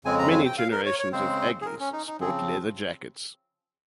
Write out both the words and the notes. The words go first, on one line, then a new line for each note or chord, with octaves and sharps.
Many generations of Aggies sport leather jackets.
F2 C#3 G#3 C4 G#5
A#5
G#5
G5
F5
A#4
C#5
C#5
C#3 G#3 C4 C5
G#4
A#4
C#4
D#4
D#4
C#3 F3 C4 G#4